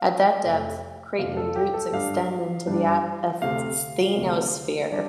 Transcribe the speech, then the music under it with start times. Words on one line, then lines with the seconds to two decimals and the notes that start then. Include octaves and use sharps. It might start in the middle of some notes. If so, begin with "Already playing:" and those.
At that depth, craton roots extend into the asthenosphere.
Already playing: F5
0.43 F2 C3 A3
1.18 F2 C3 A3 F5
1.37 A4
1.56 G4
1.74 A4
1.92 G2 G3 D4 F5
2.67 G2 G3 D4
3.42 D2 C3 A3 F5
4.17 D2 C3 A3
4.91 G3 D4 D5